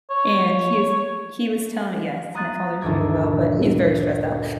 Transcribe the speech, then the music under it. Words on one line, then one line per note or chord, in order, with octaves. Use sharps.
and he is he was telling Yes, my father is doing well, but he's very stressed out.
C#5
A#5 C6 D#6 F#6 G#6 A6
F#6
G1 D2 D#3 D6 G#6
A#2